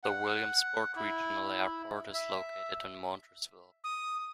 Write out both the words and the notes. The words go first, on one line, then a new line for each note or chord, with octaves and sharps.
The Williamsport Regional Airport is located in Montoursville.
F#5
E4
E5
D#6